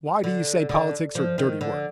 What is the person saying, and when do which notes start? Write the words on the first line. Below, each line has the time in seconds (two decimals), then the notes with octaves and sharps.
"Why do you say politics are dirty work?"
0.24 D3
0.69 D3
1.15 F3
1.38 D#3
1.61 D3